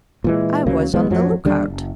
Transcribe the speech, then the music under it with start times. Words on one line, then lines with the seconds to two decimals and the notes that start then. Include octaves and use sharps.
I was on the look-out.
0.24 A#2 E3 G#3
0.66 D2 C#3 F#3 A#3
0.94 D#1 E3 G#3 B3
1.10 A1 F2 F3 F#3
1.45 D#2 D3 G3 D4
1.66 F#1